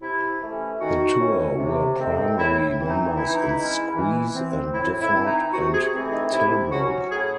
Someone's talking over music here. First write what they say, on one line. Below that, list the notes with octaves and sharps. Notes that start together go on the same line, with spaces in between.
The two were primary members in Squeeze and Difford and Tilbrook.
C3 E4
E3 A3 C#4
D#3 F#4
A3 C#4
C3
D#3 A3 C4
A2 E4
E3 C4
D#4
E3 E4
D#4
E4
G#3 C#4
E3
C4
A2 E4
E4
E3 C4
D#4
C3 F#4
G#4
E3 A3 C4
D#4
C3 E4
F#3 C#4 F#4
A2 G#4